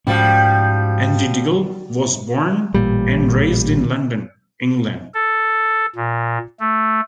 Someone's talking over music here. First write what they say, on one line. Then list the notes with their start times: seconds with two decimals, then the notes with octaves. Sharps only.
Andy Diggle was born and raised in London, England.
0.07 G#2 F3 G3 C#4 F#4 D5 G5
2.74 A1 A#2 G3
5.14 A4
5.96 A#2
6.60 A3